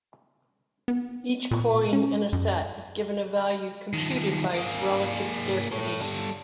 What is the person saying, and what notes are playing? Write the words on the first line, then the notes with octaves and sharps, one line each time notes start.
Each coin in a set is given a value computed by its relative scarcity.
B3
A#2
C#4
F#2
D#3 F3
A#3 G#4
A4 C#5
G3 A4